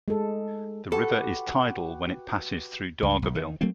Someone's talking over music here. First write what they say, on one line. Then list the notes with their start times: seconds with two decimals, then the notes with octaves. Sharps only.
The river is tidal when it passes through Dargaville.
0.08 G#3 A4
0.92 F#4 G4 A4 B4
3.03 C#2
3.22 B1
3.35 D#3
3.61 F#3 A3 A#3 C4